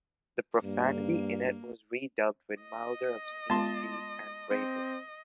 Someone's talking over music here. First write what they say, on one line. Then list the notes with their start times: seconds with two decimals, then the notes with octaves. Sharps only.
The profanity in it was re-dubbed with milder obscenities and phrases.
0.63 G2 A#3
2.62 D#5
3.50 G#3 B3 F4 A5 C6
4.50 C4 D#5